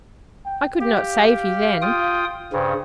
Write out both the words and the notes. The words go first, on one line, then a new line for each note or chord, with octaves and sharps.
I could not save you then.
G5
G4 F5
F4 G5 D#6
G2 C#3 C5